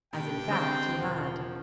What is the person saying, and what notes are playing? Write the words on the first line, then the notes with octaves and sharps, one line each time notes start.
As, in fact, he had.
G2 A#2 G5
D3 G#3 C4
E1 F3 F#5